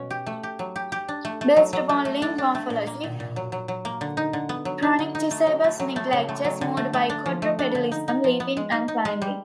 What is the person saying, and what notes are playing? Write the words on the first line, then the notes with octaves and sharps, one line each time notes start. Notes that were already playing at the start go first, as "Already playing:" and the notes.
Based upon limb morphology, "Pronycticebus neglectus" moved by quadrupedalism, leaping, and climbing.
Already playing: B2 C#4
G4
A3
G4
F#3
G4
G4
D4
A3
A3
F#3
F#3
A3
A3
D4
D4
A3
A#2
A#3
A#2
A#2
F#3
F#3
F#3
A#3
D3
D#4
D3
B3
F#3
D#4
D3
D#4
A3
F#3
A3
F#3
A3
C#3
A3
F#3
D3
A3
A3
D4
F3
A3
D4
D3
D#4
D#4
F3
B3
G#3
D#4
D#4
G#3
G3